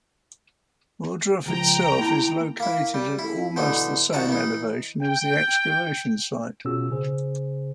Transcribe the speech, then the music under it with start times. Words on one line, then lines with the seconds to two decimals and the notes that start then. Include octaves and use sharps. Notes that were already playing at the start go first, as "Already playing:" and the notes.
Ohrdruf itself is located at almost the same elevation as the excavation site.
1.46 C#2 F3 G5 A#5
1.99 A#3 E4 A5
2.60 A#3 E4
2.94 G3
3.19 E4
3.56 B2 D3 E3 D#4
4.13 C2 D#3 F#4 A5 A#5
4.29 E3 D#4
5.02 G5
6.65 B2 C#4 F4 F#4 G#4 E6
6.90 C#3 G#4 C5